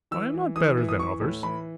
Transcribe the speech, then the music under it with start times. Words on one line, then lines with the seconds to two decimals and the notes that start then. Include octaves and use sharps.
I am not better than others.
0.11 E3 E6
0.34 E3
0.56 E3 D#6
0.77 E3
0.89 D#6
0.99 E3 C#6
1.21 A2
1.43 E3 B5